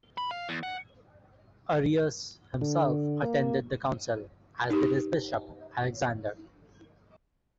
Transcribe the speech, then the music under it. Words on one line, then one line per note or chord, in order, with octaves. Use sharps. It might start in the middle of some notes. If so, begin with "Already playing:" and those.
Arius himself attended the council, as did his bishop, Alexander.
B5
F5
E2
F#5
D3
A#3
D#4 G4